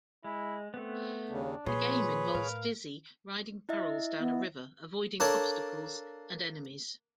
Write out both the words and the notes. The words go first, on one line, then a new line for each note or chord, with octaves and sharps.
The game involves Dizzy riding barrels down a river avoiding obstacles and enemies.
G#3 E4
A3 B3 C4
D#2 C#3 D4
A#2 F3 G#4 B4 C#5 C6
A2 A#4 F5
E4 D#5 E5
B3
A#3 D4 A4 C#5 D5 A5